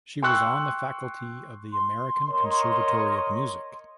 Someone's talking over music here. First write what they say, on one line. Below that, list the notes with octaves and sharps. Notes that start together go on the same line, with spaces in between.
She was on the faculty of the American Conservatory of Music.
G5 C6 C#6 E6 F#6
C6
A#4 C#5 D#5